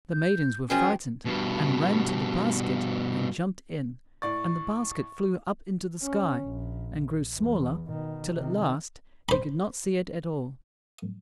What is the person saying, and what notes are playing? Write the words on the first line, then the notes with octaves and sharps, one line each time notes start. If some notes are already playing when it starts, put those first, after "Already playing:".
The maidens were frightened, and ran to the basket and jumped in, and the basket flew up into the sky, and grew smaller till at last he could not see it at all.
G6
F#2 F3 C#4 G#4 G5
G2 B2
A2 D5 C#6 A6
C#4
A#1
E2
B2 D#3
C3 D#3
C5 B5